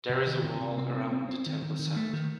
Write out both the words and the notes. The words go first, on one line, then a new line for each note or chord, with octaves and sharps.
There is a wall around the temple site.
C3
D#3
C3
C3
C4
C4
C4
C4
D#3
D#3
D#3
A3
D#3